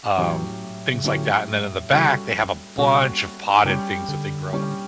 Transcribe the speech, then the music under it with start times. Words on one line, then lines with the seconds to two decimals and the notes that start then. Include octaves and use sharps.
um, things like that, and then in the back, they have a bunch of potted things that they grow,
0.17 A2 E3 F#3 C#4 G4
0.94 C#3
1.04 A2 D3 F#3 C#4 G4
1.91 C#3 G3 C#4 F#4 A4
2.78 B2 G3 C#4 F#4 A4
3.65 C#3 G3 C#4 G4
4.09 D3
4.53 G3 C#4 G4